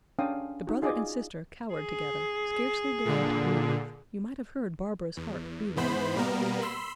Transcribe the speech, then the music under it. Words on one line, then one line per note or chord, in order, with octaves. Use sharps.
The brother and sister cowered together, scarcely daring to breathe; you might have heard Barbara's heart beating.
C#4 D4 F5 G5 D#6
D#4 F#4
F4 G#4 D5 D#5 G#5 D6
G#4
A#2 D3
E2
G#2 E3 B3 C5 B5
B2 G3 A#3 B3 A#4
B5 C6 E6